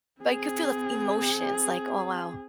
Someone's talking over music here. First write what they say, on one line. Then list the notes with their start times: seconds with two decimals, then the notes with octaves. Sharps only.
like, you could feel the emotions, like, "Oh, wow.
0.21 C4 G#4